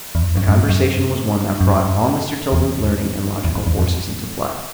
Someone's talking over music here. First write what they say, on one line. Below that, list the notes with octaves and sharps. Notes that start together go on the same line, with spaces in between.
The conversation was one that brought all Mr. Tilden's learning and logical forces into play.
E2
F2
F#2
F#2
G2
F#2
F#2
E2
E2
F2
E2
F2